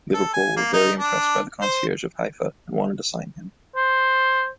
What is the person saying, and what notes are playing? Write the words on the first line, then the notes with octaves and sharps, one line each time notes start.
Liverpool were very impressed by the concierge of Haifa and wanted to sign him.
A4
G#5
A#3
D#4
D4
C5
C5